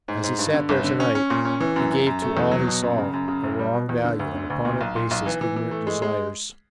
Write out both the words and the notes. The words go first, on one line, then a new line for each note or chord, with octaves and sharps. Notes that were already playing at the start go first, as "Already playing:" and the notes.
As he sat there to-night, he gave to all he saw a wrong value and upon it based his ignorant desires.
G#2
G#2
G2
D3
G1
D3
C#4
C#4
A#2
C#4
E3
F#2
F#2
F#2
A3
E2
F#3
B2
F#2
C#3
F#2
C#3
F#1
G3
B2
E2
D3
D2
D3
D2
A#2
B1
A#2
B1
E3
E3
E3
A3
G#3
G#3